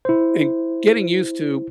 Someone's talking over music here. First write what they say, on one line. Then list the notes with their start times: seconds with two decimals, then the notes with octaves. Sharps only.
and getting used to
0.05 E4 C5